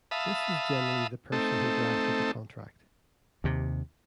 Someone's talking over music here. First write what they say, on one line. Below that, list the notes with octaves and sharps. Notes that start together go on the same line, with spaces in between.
This is generally the person who drafted the contract.
E5 F5 A5 B5 D#6
A3 C4 D#4 A4
D#2 C3